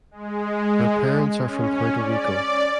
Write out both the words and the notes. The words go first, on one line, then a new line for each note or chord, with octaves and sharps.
Her parents are from Puerto Rico.
G#3
C#4
D5